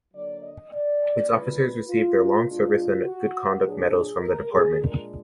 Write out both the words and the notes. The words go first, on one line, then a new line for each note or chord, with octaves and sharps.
Its officers receive their long service and good conduct medals from the department.
D3 F#3 A#3 D5
D#5
D5
F3 G#3 D4 B4
F4
B2 G#3 D4 F4
F#4
A#2 F#3 B3 D4 G#4
A#4
G#4
A#2 G#3 D4 A#4